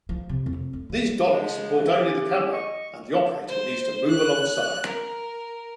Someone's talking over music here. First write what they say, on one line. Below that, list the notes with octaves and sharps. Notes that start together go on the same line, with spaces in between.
These dollies support only the camera, and the operator needs to move alongside.
F3
C3
F2
A3
D#3
C#3 F3 G#3
E3
E3 A#3 C#4 G4
D#5 C#6
C5
F#6
A#4